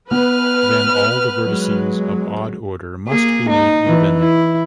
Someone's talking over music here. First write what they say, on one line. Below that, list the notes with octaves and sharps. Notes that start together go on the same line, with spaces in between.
Then all the vertices of odd order must be made even.
B3 B4 F6
F#3 G#3
A#3 G#4
D#4
E3
E4